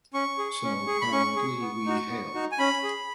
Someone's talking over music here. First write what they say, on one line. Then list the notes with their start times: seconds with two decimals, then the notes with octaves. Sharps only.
So Proudly We Hail!
0.14 C#4 C#6
0.38 G#4
0.63 C#4
0.87 G#4
1.01 B5
1.12 C#4 C#6
1.36 G#4
1.61 B3
1.86 D#4 F#4
2.10 B3
2.34 D#4 F#4
2.52 G#5
2.59 C#4 B5
2.83 G#4